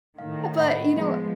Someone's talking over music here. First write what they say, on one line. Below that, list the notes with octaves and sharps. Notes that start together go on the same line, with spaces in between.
but, you know
A2 D#3 F5
D#5 F#5 B5
F3 G#3 B3